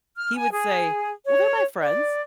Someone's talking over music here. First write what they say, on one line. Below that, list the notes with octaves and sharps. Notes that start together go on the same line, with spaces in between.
He would say, "Well, they're my friends."
F6
G#5
G#4
C#5
D5